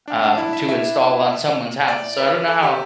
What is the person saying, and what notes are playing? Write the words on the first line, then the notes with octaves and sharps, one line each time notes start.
um, to install on someone's house, so, I don't know how,
D4
D4
E4
E5
E5
D5
B4
A4
G4